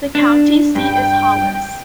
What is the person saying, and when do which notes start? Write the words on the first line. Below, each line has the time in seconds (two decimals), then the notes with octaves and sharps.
The county seat is Hollis.
0.15 D4
0.75 G2 G5